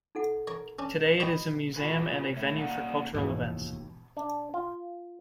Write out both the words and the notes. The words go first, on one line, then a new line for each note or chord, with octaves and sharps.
Today, it is a museum and a venue for cultural events.
D#4 A4 F#5
A#4 C#5
C#4 D4
B4 C#5 D#5 G5
F4 F#4 G#4 B4
A3 C#5 E5
A#3 D#4 D5 F#5
F1 D#2 G#2 B2 E3
D4
F4